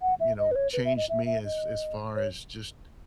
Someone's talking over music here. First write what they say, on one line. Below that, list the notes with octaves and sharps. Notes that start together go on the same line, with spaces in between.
you know, changed me as as far as just
F#5
E5
D#5
B4
C#5
B4
E5
D#5
E5
E5
D#5
C#5